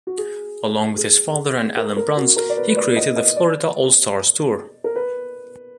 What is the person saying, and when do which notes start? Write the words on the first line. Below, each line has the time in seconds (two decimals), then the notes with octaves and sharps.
Along with his father and Alan Bruns, he created the Florida All Stars Tour.
0.07 F#4
0.18 G#4
0.98 G#4
1.77 A#4
1.97 A#4
2.17 F#4
2.36 A#4
2.49 D5
2.57 B4
2.70 B4
2.76 D5
2.96 D#5
3.16 D#5
3.36 D5
4.84 A#4
4.96 B4